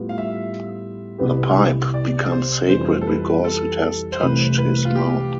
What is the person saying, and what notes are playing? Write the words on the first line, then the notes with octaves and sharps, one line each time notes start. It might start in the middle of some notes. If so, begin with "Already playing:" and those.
The pipe becomes sacred because it has touched his mouth.
Already playing: A2 G3 B3 F4
F5
E5
C2 B2 B3 E4 G4
D5
C5
F2 E3 G3 C4 F4 C5
A4
B4
A4
C5
C2 C3 E3 A3 C4 B4
B4
F4
G4